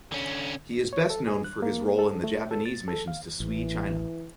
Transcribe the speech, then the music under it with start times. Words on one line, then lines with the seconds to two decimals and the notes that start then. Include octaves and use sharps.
He is best known for his role in the Japanese missions to Sui China.
0.12 D3 C#4
0.93 C#5
1.10 A4
1.27 G#4
1.44 F#6
1.62 A#3
1.99 A4
2.24 A3
2.51 A4
2.66 A6
2.88 A4
3.08 F5
3.40 A1 E3